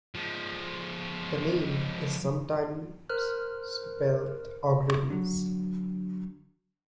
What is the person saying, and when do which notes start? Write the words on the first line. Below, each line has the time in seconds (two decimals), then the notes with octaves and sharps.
The name is sometimes spelt Aughrabies.
0.15 F3 G#3
3.09 A#4 C5 F6 F#6
5.10 D3 F#3